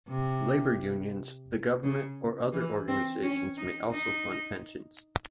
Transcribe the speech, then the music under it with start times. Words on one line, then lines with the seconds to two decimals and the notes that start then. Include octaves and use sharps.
Labor unions, the government, or other organizations may also fund pensions.
0.09 C3
1.83 C#3
2.52 E3
2.88 C4
3.23 C#4
3.57 D#4
3.92 D#4